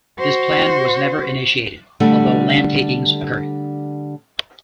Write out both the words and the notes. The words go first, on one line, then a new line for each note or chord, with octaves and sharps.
This plan was never initiated, although land takings occurred.
F#4 C5
D3 G3 A3 D4